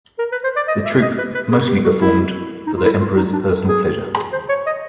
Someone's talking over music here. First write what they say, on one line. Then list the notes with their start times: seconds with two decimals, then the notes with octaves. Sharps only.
The troupe mostly performed for the emperors' personal pleasure.
0.19 A#4
0.32 B4
0.44 C5
0.56 D5
0.68 D#5
0.85 E5
1.02 D#5
1.19 B4
1.35 B4
1.51 G#4
1.68 G4
1.84 F#4
2.01 E4
2.67 D#4
2.77 F4
2.85 E4
3.00 F4
3.17 D#4
3.33 D4
3.67 G#4
4.17 G#4
4.33 C5
4.49 C#5
4.67 D#5